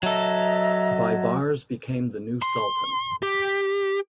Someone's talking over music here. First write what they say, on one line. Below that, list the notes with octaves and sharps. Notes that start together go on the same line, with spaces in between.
Baibars became the new Sultan.
F#3 A4 D#5 E5 A#5
C6
G4